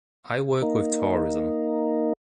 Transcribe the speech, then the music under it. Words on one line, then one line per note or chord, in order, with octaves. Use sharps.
I work with tourism.
A#3 D#4